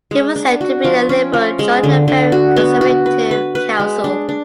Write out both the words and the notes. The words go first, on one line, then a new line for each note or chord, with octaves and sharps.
He was said to be a liberal joining a very conservative council.
G#3
D4
F#4
F3
C#4
F3
G#3
D3
D3
F#4
B3
F#4
B4
B4
B4
G#3
D4
D4